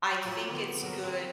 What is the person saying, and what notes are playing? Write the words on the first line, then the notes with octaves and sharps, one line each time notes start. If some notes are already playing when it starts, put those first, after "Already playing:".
I think it's good
F#3 A#3 C4 F4 C#5
D3 F3 B3
F#3 A#4
C4